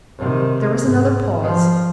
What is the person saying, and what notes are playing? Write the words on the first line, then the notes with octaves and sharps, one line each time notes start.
There was another pause.
C3 D#3
G#2
F3